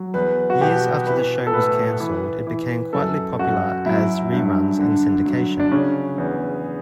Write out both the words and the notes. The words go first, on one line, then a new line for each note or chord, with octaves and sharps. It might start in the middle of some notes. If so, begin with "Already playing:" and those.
Years after the show was cancelled, it became quietly popular as reruns in syndication.
Already playing: F#3
E2 B4
F#4
B2 G4
E3 B4
A4
A2 B4
E3
E3
F#2 A4
F#2 F#4
F#3 E4
G2
D3
F#3
D4
C#3 C#4
E2